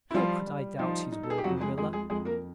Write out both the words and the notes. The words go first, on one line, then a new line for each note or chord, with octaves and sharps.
How could I doubt his word, Marilla?
E4
F3 G3 F4
G3
F3 D#4 F4
D#4
A4
G#4
G4
F2 F#3 F#4
G#3 G#4
F2 G#3 G#4
G#3 G#4
F2 G#3 G#4
A#3 A#4